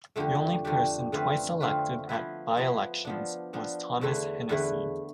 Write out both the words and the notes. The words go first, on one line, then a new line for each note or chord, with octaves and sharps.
The only person twice elected at by-elections was Thomas Hennessy.
F2 D3 A3 D4 G4
F2 D3 A3 D4 G4
D3 A3 C4 F4 B4
D3 A3 C4 F4 B4
F3 B3 E4 B4
F3 B3 E4 B4
F3 B3 D4
F3 B3 D4
E2 D3 A3 E4 B4
E2 D3 A3 E4 B4